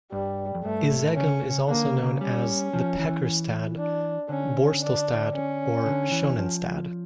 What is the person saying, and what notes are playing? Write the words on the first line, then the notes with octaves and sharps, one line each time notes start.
Izegem is also known as the "pekkerstad", "borstelstad" or "schoenenstad".
G2 G3
F2
G2 A3
A2
A2
C#3 C#4
D3 A#3
C#3
C#3
G3 C#4
F3
E3
D4
D3 C#4
D4
C#4
D3
E3
F3